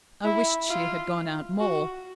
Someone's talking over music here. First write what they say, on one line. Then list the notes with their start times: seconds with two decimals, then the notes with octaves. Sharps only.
I wished she had gone out more.
0.24 E4
0.70 F4
1.60 F#4